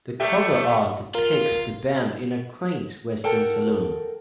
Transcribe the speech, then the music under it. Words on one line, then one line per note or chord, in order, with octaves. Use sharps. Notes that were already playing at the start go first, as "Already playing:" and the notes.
The cover art depicts the band in a quaint western saloon.
F#3 G3 A3 G4 E5 G5
F4 A#4
A4 A#4 F#5 G5 A5